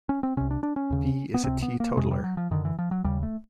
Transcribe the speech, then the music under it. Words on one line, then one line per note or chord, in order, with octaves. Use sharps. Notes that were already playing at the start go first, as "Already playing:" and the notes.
Bee is a teetotaler.
C#4
C4
C2 C3 C#4
D4
D4
C#4
D#2 C#3
B3
C#2 C3 C4
B3
A#3
F2 C3 G#3
G3
F#3
F3
F#2 D3 D#3
E3
F3
F#3
D#2 C#3 G3
A3